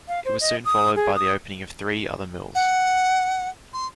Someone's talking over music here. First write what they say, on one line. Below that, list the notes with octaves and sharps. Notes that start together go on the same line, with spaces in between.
It was soon followed by the opening of three other mills.
F5
C5
D#5
D#6
G#4
D#6
F#5
C6